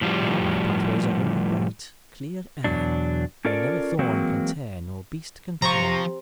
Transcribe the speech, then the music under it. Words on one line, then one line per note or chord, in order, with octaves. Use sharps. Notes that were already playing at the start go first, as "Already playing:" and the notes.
But now my pathways are in the bright, clear air, where never thorn can tear nor beast can follow.
A2 F3 G3
E2 B2 F#3 D4
C#4 F4 A4 A#4 D5
E3 F#3 G#3 A#3 C4 F#4
C3 F3 F4 A#5 C#6